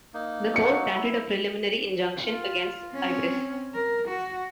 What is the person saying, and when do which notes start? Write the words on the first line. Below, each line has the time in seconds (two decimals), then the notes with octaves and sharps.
The Court granted a preliminary injunction against Cypress.
0.14 A#3 D#4
0.56 F#3 C#7
0.94 E4
2.24 F4
2.93 C4 C#4
3.74 A#4
4.09 F#4